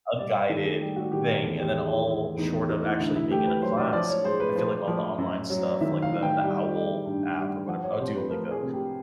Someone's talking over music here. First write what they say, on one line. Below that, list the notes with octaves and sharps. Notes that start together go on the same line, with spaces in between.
a guided thing, and then all short of actually being in a class, I feel like all the online stuff, like the the owl app or whatever Oh, Duolingo,
G3 D5
D#3 A4
G#4
G3 G4
F#4
D#3 G4
A#4
E2 A4
G4
G#3
E4
G#3 E4
E2 D#4
A3 D#4
E4
D2 E4
E4
A3 G4
B4
F#3 C5
D5
F3 D5
C#5
G#3 C5
B4
F3 C5
F3
F#2
F#3
D#3 E5
F5
D#3
G5
G3
G3
G2
G3
F3 F#5
C#5
C2 C5
B4
F3 A#4
G#4
C3
G4